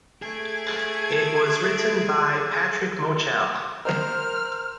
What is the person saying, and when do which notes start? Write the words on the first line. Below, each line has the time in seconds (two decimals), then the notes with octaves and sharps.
It was written by Patrick Mochel.
0.22 A3 G#4 G#6 D7
3.85 A#4 C5 F6